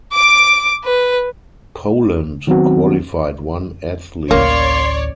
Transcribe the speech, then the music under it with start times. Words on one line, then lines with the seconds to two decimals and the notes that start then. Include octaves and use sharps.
Poland qualified one athlete.
0.13 D6 D7
0.84 B4
2.47 D#3 F#3 B3 C4 F#4
4.31 A1 D2 A#3 C#5 D5 C6